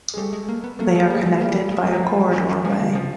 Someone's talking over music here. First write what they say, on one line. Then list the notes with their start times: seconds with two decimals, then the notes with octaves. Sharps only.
They are connected by a corridor way.
0.14 G#3
0.17 G3 A3
0.33 G#3
0.49 A#3
0.64 B3
0.79 A3 A#3
0.91 G#3 A3
1.03 G3
1.10 G#3 A#3
1.26 A3
1.41 G3 A#3
1.56 A3
1.72 G#3
1.87 A3
1.93 F#3
2.03 F3
2.33 E3
2.64 F3 G#3
2.80 D3
2.95 C#3 F3